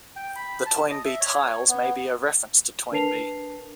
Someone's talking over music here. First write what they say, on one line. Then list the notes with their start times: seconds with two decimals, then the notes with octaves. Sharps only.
The Toynbee tiles may be a reference to Toynbee.
0.16 G5
0.36 B5
0.66 A5
0.90 D#5
1.05 E5
1.20 C#5
1.69 B3
2.92 D4 A#4 B4 A5 C7 F7